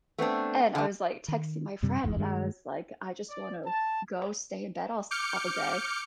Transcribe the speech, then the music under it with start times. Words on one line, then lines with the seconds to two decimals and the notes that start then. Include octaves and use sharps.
and I was, like, texting my friend, and I was, like, I, just, wanna go stay in bed all s all day,
0.18 A3 B3 C4 D4
0.75 D3 A3
1.28 D#3
1.82 F#2 C3 G3 C4
2.04 D#1 G#1 E2 G#2
2.17 G2 D#3 F3 G#3
3.30 D5
3.66 A5
5.11 D6 F6 G6 C#7